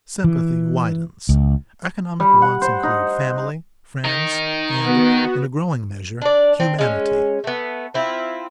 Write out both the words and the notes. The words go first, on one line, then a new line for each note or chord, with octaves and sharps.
Sympathy widens; economic wants include family, friends, and, in a growing measure, humanity.
E3
C#2
G3
F#5
C5
D#4
D#3 D#4
B3 F#4
D4 D5
C4
G#3 C#4
A3 B3
C4 E4 F4